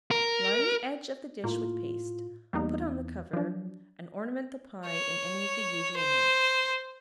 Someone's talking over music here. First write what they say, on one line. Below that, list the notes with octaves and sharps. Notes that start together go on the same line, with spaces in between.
Line the edge of the dish with paste, put on the cover, and ornament the pie in any of the usual modes.
A#4
A2 A#3 F4
E2 G3 A#3 D#4
F3 F#3 D4
C#5
C5